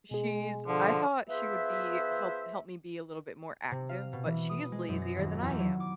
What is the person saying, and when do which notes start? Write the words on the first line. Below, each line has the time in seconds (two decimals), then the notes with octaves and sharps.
she's I thought she would be help help me be a little bit more active, but she's lazier than I am.
0.11 B2 G#3 G#4
0.67 D3 F3
1.29 F3 B3 G#4 B4 C5 E5
3.71 C3
3.89 F5
4.13 B2
4.25 E3
4.49 D#6
4.72 G#3
4.89 F#2
5.02 A#6
5.17 D#1
5.43 E2
5.60 F#3
5.80 D6